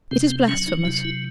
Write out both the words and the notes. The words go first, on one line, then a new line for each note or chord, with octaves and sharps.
It is blasphemous.
C3 C4
C4
F#3 C#4
D#4
C3 E4
E4